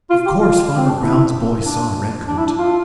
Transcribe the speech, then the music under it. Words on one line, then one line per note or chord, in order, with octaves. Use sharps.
Of coarse Farmer Brown's boy saw Redcoat.
F4
G4
F4
C4
D4
E4
D4
D4
E4
D4
F4